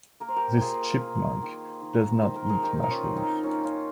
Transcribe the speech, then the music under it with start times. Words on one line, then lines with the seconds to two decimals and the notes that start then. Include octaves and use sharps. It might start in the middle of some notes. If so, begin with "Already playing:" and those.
This chipmunk does not eat mushrooms.
0.20 A#3 A#4
0.28 C5
0.36 G4 A#4
0.57 A#3 F4 G4 G#4
1.01 A#3
1.42 D#3
1.82 D#3
2.22 D#3 C5
2.36 A#4
2.49 G#4
2.62 D#3 D#4 G4
2.83 D#4
2.90 C#4 F4
3.04 D#3
3.16 C4 D#4
3.43 A#2 C#4
3.64 C#4 F4